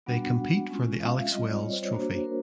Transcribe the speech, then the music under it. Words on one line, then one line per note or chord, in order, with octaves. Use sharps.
They compete for the Alex Wells trophy.
G3 B3 D4 F#4 F#5
G#3 C#4 F4
F5
E5
G3 C4 F4 D#5
D5
C#5
C5
C#5
A#3 D4 F#4 C5
A#4